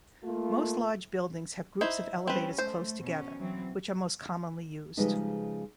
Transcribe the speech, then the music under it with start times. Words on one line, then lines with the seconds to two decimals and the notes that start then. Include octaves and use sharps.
Most large buildings have groups of elevators close together, which are most commonly used.
0.24 A3 A#3 F4
1.81 D#4 E4 C5
2.27 G3 C4 C#4 B4
2.58 A3 C5
3.03 B2 C#4
3.39 E3 F#3 C4
4.97 C#3 F3 G3 G#3 D#4 B4